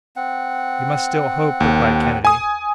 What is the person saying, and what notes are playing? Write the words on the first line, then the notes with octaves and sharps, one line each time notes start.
"You must still hope," replied Kennedy.
C4 F#5
D#2
G#5 D#6